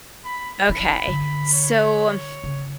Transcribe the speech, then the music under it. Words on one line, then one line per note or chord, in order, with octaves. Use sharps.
Okay. So, um
B5
D4 E4 B5
D3
C#5
C#3